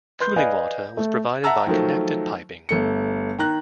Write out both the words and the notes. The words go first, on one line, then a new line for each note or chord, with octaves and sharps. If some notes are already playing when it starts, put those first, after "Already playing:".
Cooling water was provided by connected piping.
B4 C6 G6
B4 D5 D#5 F5 G#5
A3
E5 F#5 A5 A#5 E6
D#3 F3 F#3 A3
G1 A3 C#7
D#3 A#5 F#6